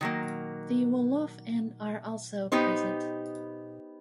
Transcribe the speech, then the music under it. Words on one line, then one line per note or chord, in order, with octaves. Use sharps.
The Wolof and are also present.
D#3 F#3 A#3
B3 D#4 G4 C5